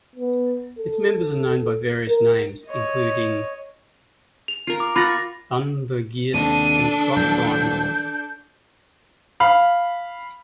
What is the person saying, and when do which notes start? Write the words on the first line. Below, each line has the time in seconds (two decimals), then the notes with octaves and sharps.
Its members are known by various names, including thunbergias and clockvine.
0.15 B3
0.78 A4
2.08 A#4
2.67 C#5 D#5
4.48 F7
4.67 F4 A#4
4.80 D6
4.96 F4 F#5 B5 C#6 A6 A#6
6.34 D#2 C3 D#3 D4 A4 D#7
7.16 D#1 E3 F#3 G6
9.40 F5 B5